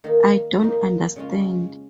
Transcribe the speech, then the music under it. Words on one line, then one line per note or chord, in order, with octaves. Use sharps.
I don't understand.
D#3 A#3 D#4
F2 F3 A#3 D#4
C#3 G#3 C#4 F4